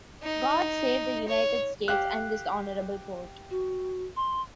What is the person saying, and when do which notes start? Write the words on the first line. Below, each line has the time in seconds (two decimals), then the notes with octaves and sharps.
God save the United States and this Honorable Court.
0.23 D#4
1.28 C#5
1.88 G4 F5 F#6
3.51 F#4
4.16 C6